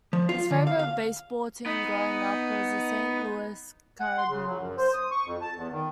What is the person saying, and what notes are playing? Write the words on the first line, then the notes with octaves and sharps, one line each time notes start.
His favorite baseball team growing up was the Saint Louis Cardinals.
F3
F4
D3
F5
F5
B3 D#4
F#5
C6
C#3
F#3
F#2
C5
D#6
C#6
F2
A5
E2
D#3